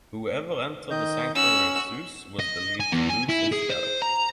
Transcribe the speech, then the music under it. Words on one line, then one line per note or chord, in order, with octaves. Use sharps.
Whoever entered the sanctuary of Zeus was believed to lose his shadow.
D#3 D#5 G6
C#4 F#4 E6
D#5
G#5
E2
G#5
E4
G#4
C5
A#5